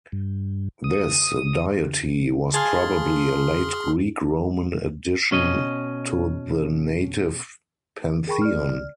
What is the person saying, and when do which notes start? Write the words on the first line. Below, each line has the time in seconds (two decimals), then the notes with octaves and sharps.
This deity was probably a late Greek-Roman addition to the native pantheon.
0.12 G2
0.84 D#6
2.54 G#4 F5 G#5 A5 C6 F6
5.31 B2 C#4 D#5
8.28 G#4 A#4 G5 A5 B5 C#6
8.42 D5 F6